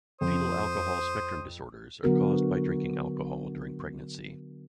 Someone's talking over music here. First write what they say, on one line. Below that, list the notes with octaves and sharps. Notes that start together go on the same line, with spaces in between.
Fetal alcohol spectrum disorders are caused by drinking alcohol during pregnancy.
F2 C5 D#6
D3 F#3 B3 F#4 A#4